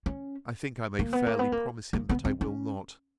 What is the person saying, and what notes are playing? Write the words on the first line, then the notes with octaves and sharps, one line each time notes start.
I think I may fairly promise him that I will not.
C#4
A#3
B3
A#3
B3
A#3
A#3
B3
C4
C#4